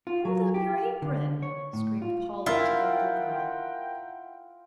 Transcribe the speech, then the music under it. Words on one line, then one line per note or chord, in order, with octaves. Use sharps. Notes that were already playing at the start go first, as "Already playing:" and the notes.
"Hold up your apron," screamed Polly to the little girl.
F4
F#3
G4
D3
C#5
A2
F4
E4 F4 A#4 F#5 G5 E6 C7